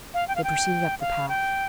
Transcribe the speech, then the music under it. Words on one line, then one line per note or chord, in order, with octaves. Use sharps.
They proceeded up the path.
F5
G5
F5
G5
F5
G5